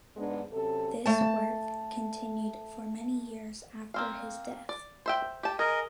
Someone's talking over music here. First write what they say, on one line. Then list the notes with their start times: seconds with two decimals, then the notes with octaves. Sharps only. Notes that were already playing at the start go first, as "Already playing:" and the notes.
This work continued for many years after his death.
0.17 G#2 G#3 B3 D4
0.53 C3 F#3 C#4 A4
1.06 A3 A5
3.94 A#3 C4 F5
4.69 D5
5.06 C5 E5 G5
5.43 G4 A5
5.59 G#4 A#4 D#5